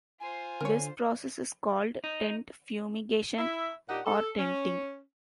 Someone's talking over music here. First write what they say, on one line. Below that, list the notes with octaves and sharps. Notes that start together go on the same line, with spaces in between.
This process is called tent fumigation or "tenting".
F4 C5 G#5
D3 A#4 C#5
D#4
E4 E5
A#2 D4 D#4 G4 F#5
A4
C#4